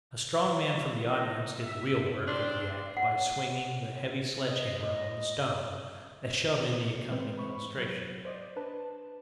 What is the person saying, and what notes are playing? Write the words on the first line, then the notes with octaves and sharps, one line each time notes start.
A strong man from the audience did the real work of the act by swinging the heavy sledge-hammer on the stone, as shown in the accompanying illustration.
D#4
E5
C4 D4 C6
F#5
D#5
E3 G#3 C4 B4 C5
B5 C#6
F#3
C5 D5 D#5
D4 B4 A5